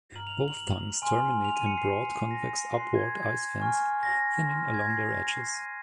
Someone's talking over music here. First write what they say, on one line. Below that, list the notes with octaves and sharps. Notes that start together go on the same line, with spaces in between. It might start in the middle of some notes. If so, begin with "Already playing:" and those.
Both tongues terminate in broad convex-upward ice fans thinning along their edges.
A#5 F6 F#7
F7
F#7
G#5 C6 F6
F7
D#7
C#7
C7
C6 F6
A#6
C6 F#6 C7
G#6
G#6
G#5 C#6 F6
A#6
C6 F6
G#6
A#6
C7
A#6
G#5 C6 F#6 C7
D#7